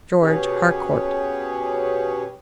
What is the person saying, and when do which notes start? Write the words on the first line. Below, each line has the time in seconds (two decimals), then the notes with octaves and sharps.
George Harcourt.
0.22 B2 C#4 G4 G#4 B4 C#5